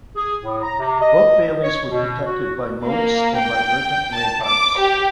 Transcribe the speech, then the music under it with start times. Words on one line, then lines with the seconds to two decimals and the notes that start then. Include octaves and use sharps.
Both baileys were protected by moats and by earthen ramparts.
0.16 G#4
0.43 A2
0.62 A#5
0.79 C3
1.01 D#5
1.64 C#5
1.91 B2
2.26 F#4
2.85 A#3
3.39 G5
4.16 A5
4.45 D6
4.79 G4